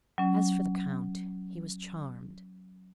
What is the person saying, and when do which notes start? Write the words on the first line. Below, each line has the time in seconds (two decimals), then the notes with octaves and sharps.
As for the Count, he was charmed.
0.18 F#3 C#4